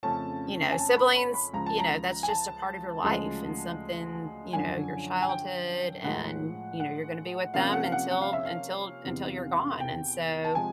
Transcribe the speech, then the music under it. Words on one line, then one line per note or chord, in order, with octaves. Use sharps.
you know, siblings, you know, that's just a part of your life and something, you know, your childhood and, you know, you're gonna be with them until until until you're gone. And so,
F2 C#3 F3 A3 C#4 A5
G#5
A5
B5
B5
B5
C#2 C#3 F3 A#5
A5
A#5
G#5
A5
D2 C#3 F3 G#3
F#2 D3 F3 G#5
G#5
G5
A2 F3 G#3 F#5
F#5
C3 F3 A#3 C#4 F5
F#5
F5
F#5
F#5
F5
E5
F5
E2 C3 E3
G5
A5
C3 F3 G#3 G#5